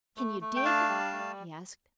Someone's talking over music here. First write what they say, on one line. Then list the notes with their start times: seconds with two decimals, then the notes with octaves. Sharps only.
"Can you dig?" he asked.
0.17 A3
0.41 A3
0.56 G5
0.65 D4 F5 A5
0.89 G3
1.12 A3